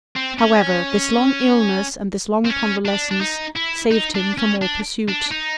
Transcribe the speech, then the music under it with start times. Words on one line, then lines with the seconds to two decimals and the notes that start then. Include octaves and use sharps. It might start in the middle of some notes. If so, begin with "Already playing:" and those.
However, this long illness and this long convalescence saved him from all pursuit.
0.16 C4
0.39 C#4
2.45 C4
2.50 C#4
2.85 D4
3.11 D4
3.21 D#4
3.56 E4
3.91 D#4
4.15 D4
4.38 C#4
4.62 D4
5.08 D4
5.31 D#4